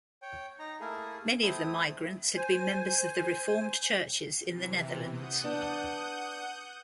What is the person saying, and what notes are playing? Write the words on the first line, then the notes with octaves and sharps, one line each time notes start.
Many of the migrants had been members of the Reformed Churches in the Netherlands.
C#5 G5
D#4 A#5
A3 A#3 E4 G#4
A3 C4 E4 D#6
C5 G#5
C3 E3
F#5 D#6 G6
B3 D4